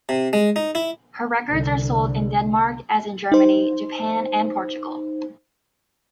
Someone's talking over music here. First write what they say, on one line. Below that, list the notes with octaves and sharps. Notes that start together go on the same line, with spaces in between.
Her records are sold in Denmark as in Germany, Japan and Portugal.
C3
G#3
D#4
E4
C2 D3
D#4 C5